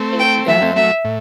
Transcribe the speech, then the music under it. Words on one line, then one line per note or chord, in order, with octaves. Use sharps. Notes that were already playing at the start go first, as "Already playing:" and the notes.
and, um
Already playing: A3 C4
G5
F#3 A3 E5
A3 C4
F#3 A3 E5
A2